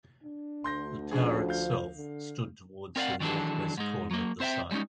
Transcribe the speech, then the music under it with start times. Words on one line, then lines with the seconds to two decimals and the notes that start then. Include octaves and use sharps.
The tower itself stood towards the north west corner of the site.
0.24 D4
0.64 D2 C6 G6 A#6
1.11 F3 C#4 D4 G#4
1.49 F5 G6
1.96 D3
2.96 C4 A#4 D5 F5 F#5
3.20 D#3 E3 F#3 D4 G#4 A4
3.77 G#2 G#3
4.11 F#3 A#3
4.40 C4 C5 E5 F#5 G5
4.71 G3 G#3 C4 C#4 D#4